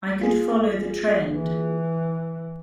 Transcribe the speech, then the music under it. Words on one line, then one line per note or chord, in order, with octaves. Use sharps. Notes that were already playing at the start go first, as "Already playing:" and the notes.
I could follow the trend.
A#3 F4 G#4
E3